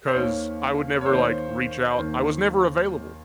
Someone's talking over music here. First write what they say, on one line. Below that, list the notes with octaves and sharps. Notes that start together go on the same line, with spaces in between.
'Cause I would never, like, reach out I was never available.
C5
D#2 D#3 A#3 C#5
C#5
D#2 D#3 A#3 C5
D#2 D#3 A#3